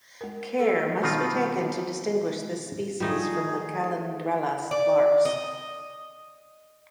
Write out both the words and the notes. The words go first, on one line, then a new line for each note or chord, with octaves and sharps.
Care must be taken to distinguish this species from the "Calandrella" larks.
G#3 A#4
A4
B2 D#3 G3 C4 D#4 F4
F3 G3 A3 D#4 G#4
D5
D#5